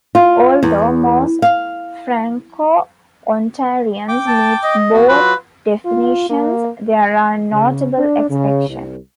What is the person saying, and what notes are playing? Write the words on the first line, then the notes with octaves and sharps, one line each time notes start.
Although most Franco-Ontarians meet both definitions, there are notable exceptions.
F4
E2
F5
G5 D6
A5
D#5
E2 B3 F#4
F#3 F4 F#4 B4
F4
A#3
C#3
D4
C#3
C2